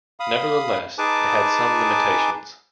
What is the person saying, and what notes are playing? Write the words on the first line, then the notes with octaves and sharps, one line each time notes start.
Nevertheless, it had some limitations.
F5 B5 D#6
D#4 G#4 B4 G#5 A5 D6